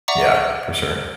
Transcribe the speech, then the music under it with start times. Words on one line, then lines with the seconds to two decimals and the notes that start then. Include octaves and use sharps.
Yeah. For sure.
0.08 D5 E5 F#5 A#5 C#6 D6